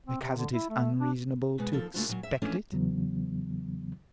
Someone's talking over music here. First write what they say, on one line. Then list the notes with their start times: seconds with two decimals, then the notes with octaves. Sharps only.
"Because it is unreasonable to expect it."
0.07 C4
0.21 C3
0.37 D3
0.53 E4
0.69 A3
1.00 D4
1.58 B2 G#3 B3
1.72 D#2 F3 A4
1.94 C#3 A3 A#3 D4 F4 F#4
2.08 A#2 E3 F#3
2.23 G2 E5
2.42 E3 F3 A3 C#4 D4 E4
2.72 E2 C#3 E3 F#3 B3